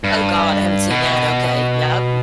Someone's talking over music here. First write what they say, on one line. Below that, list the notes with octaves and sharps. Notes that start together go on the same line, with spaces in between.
Oh god, I haven't seen that, okay, yep.
G2
B2